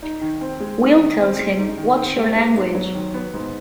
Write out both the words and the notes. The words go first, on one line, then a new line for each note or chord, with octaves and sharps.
Will tells him, Watch your language!
D#4
D#3
C4
G#3
D#4
D#3
C4
G#3
D#4
D#3
C4
G#3
B3
G#2
F#3
D#3
B3
G#2